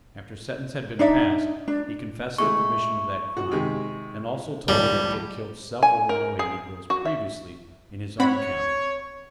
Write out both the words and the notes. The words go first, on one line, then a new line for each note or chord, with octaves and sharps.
After sentence had been passed, he confessed the commission of that crime, and also told that he had killed several runaway negroes previously in his own county.
D4 D#4 D5 E5
D4
G#3 A3 E4 C#6
F#4
C3 D#3 G#3
G#1 C#2 F3 G3
G#5
A#4
G#4
F#4
E5
C4 C#5 F#5 B5